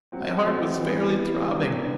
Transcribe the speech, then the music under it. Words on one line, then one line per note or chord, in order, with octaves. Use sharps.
My heart was fairly throbbing.
F#3 C4 F#4
F#3 C4 F#4
E3 B3 E4
E3 B3 E4
C3 G3 B3 D4
C3 G3 B3 D4